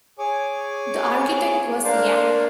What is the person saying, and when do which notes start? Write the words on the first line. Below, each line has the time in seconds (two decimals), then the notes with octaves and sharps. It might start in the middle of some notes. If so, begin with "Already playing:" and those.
The architect was Ya.
0.19 G#4 C#5 G#5 D6
1.84 A#3 D4 A#4 C5 D5 F5